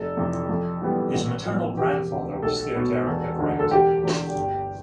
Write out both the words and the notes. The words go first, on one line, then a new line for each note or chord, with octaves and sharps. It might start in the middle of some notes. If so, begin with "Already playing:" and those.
His maternal grandfather was Theoderic the Great.
Already playing: F1 A4
F2 C3 E3
F2
E3 G3 B3
A1
A2 F3 B3
E1 G4
D2 C3
B1 A4
B2 B3
E1
D2 D3
A4
E1 G4
E2 D3
G1